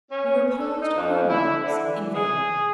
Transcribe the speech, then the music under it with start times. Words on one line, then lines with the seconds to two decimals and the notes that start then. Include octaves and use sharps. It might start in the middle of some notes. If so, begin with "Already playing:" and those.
We reposed on our laurels--in vain.
0.11 C#4
0.59 A4
0.81 D#4
0.96 F2
1.29 E4
1.62 D3
1.82 E3
2.15 G#4